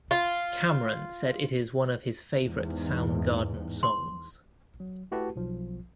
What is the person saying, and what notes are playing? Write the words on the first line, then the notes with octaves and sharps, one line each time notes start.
Cameron said it is one of his favorite Soundgarden songs.
F4
E2 G#2
C6
F#3
A3 E4 F#4 G4 B4 A5
B1 F3